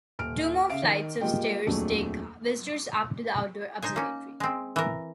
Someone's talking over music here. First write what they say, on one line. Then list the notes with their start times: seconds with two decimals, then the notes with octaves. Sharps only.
Two more flights of stairs take visitors up to the Outdoor Observatory.
0.19 D#1 F6 D7
0.70 C#3 E5 F5 D7
0.83 D#3
1.21 G3 G#3 A#3 F4 D#5 G5
1.67 D#1 F2 F#3 A3 D4 G#4
3.82 D#4 C5 G#5
3.96 A#3 C#4
4.40 G#3 C4
4.76 E3 A#4